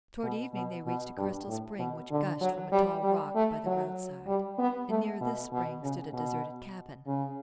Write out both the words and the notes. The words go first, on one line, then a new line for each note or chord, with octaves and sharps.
Toward evening they reached a crystal spring which gushed from a tall rock by the roadside and near this spring stood a deserted cabin.
B2
B2
B2
G2
A2
B2
D3
F#3
G3
G3
A3
F#3
G3
B3
A3
B2
B2
C#3
B2
C#3